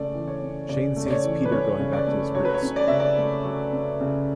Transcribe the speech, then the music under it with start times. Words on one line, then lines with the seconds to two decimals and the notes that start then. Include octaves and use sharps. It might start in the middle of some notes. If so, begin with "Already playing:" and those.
Shane sees Peter going back to his roots.
Already playing: C#3 A3 D5
0.14 E3
0.28 C#5
0.42 C#4
0.69 C#3 D5
0.96 A3
1.06 D5
1.10 C#5
1.24 E3
1.45 B4
1.52 C#4 C#5
1.80 C#3
1.93 D5
2.07 A3
2.35 F#3 C#5
2.45 B4
2.54 C#5
2.63 C#4
2.76 D5
2.88 C#3 E5
3.00 D5
3.18 A3
3.45 F#3
3.73 C#4
4.01 C#3